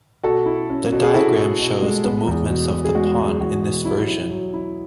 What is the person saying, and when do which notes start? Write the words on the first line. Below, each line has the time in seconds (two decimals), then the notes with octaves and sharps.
The diagram shows the movements of the pawn in this version.
0.24 B2 F#4 A4
0.46 E4
0.70 C#4
0.92 B2
1.03 G#4
1.14 E4 F#4 A4
1.37 E4
1.59 B2
1.82 G#3
2.04 B3
2.27 E2
2.49 B2
2.72 B2
2.85 G#4
2.95 G#3 F#4
3.17 G#3
3.40 E2 F#4
3.63 B2
3.85 F#3 E4
4.08 E4
4.30 F#3
4.54 E4